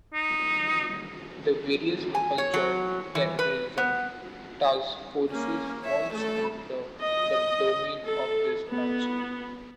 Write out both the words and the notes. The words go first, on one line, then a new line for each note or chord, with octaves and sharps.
The various local Joint Terrorism Task Forces falls under the domain of this branch.
D#4
G#5
C#5
F#3
E3
B4
B3
A#3 C#4
C#5 E5
A3 A4
D#5
A4
B3